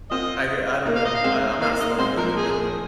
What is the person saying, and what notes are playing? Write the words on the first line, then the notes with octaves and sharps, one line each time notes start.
I I don't know, I I'm not smart enough to know
C4 F4 D#5
A#3 D#4
F5
D#5
F5
G#3 C4
A#3 D#4 F5
A#3 D#4 D#5
G#3 C4 C5
F3 A#3 A#4
G#4